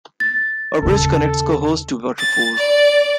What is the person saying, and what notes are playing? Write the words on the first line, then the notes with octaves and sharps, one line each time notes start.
A bridge connects Cohoes to Waterford.
A6
D#2 C#3 A4
A6
D5